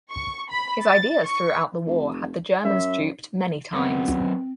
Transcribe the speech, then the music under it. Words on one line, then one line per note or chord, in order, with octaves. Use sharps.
His ideas throughout the war had the Germans duped many times.
C#6
B5
A6
C#6
F1
F#2 E5
F#2 B3 C4